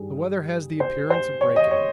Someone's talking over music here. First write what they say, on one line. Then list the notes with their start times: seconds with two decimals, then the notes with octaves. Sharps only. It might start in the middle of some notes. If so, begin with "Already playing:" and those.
The weather has the appearance of breaking.
Already playing: G2 D#3 G3 G#4
0.80 C5
1.10 C5
1.41 C#5
1.56 D#5
1.71 C#5